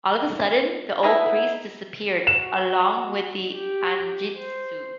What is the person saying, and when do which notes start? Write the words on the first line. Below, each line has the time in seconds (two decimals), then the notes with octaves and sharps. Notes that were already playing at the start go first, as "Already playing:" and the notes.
All of a sudden the old priest disappeared along with the "anjitsu".
1.03 F#3 B3 D#4 E4
2.27 F#4 E7
3.54 G4
4.36 C5